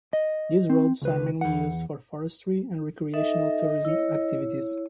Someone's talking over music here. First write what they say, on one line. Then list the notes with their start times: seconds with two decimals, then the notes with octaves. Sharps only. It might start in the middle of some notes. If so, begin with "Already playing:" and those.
These roads are mainly used for forestry and recreational tourism activities.
0.13 D#5
0.70 C4
1.02 C#2 B4
1.41 E2 F#5
3.14 D#4 A4 D#5 E5
3.85 E4 C#5